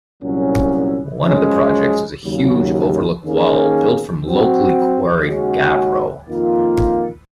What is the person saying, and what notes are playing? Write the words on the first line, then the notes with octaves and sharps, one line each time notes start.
One of the projects was a huge overlook wall, built from locally quarried gabbro.
C2 A#2 F#3 C#4
F#2 F3 G#3 C#4 G#4
D#2 C#3 F#3
D#3 A#3 C#4 G#4
F#3 C4 F#4
D#2 C#3 G#3 C#4 F#4
F2 D#3 A#3 F4 A#4